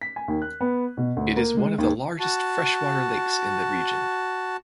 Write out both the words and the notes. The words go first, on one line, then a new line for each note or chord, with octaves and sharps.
It is one of the largest freshwater lakes in the region.
B6
G#5
D#2
F#6
B3
B2
D2
A#3
G#3
D#2
F#4 A5